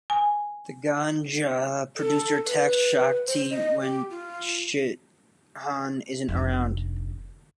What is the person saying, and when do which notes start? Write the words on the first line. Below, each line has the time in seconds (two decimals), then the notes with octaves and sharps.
The Ganja producer attacks Shakthi when Chithan isn't around.
0.10 G#5
1.96 A4
2.46 B4
3.27 C5
3.50 D#5
3.81 G4
4.10 F4
6.28 F1 A#1